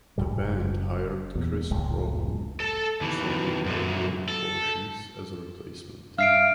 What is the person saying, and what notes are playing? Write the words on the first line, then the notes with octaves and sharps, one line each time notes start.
The band hired Chris Prohom from the Dayglo Abortions as a replacement.
F1 C2 A2 G3
F#1
E2 A#2
F1 C#2 A2 G#3
A4 A5
D#2 E3
F#2 A#2
A4
G2 D4 E5 F5 F6 C7 D7